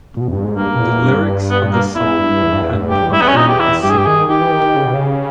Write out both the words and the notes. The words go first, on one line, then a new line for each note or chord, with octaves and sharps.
The lyrics of the song depend on who is singing.
A#2
B2
E2
G2
G#2
G2 A#3
G2
E2
G2
B3
A#3
E2 E4
G2
E2
G2
E2
G2
E2
G2 G4
E2
G2 E4
E2 B3
C#4
G2
E2 D#4
G4
E4
G2 G4
G#4
G4
D#3 G#4
D#3 G4
E3
D#3
C#3
B2
C#3